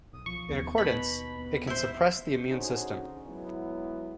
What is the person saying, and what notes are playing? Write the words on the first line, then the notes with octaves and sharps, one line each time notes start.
In accordance, it can suppress the immune system.
B1 D#6
B1 F3 C#6
D#2 B3
B2 B5
B3
E4 C5 E6
D3 C#4 D#4 F#4 G#4 C5
F#3 G#3 B3 E4